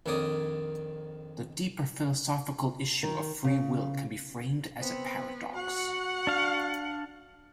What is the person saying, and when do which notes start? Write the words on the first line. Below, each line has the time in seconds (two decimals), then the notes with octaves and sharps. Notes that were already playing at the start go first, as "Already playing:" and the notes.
The deeper philosophical issue of free will can be framed as a paradox.
0.06 A#1 F2 D#3 C#5 D5 D#6
3.03 D#3
3.44 C#3
4.79 B3 C4
5.55 F#4 F#5
6.27 D4 F5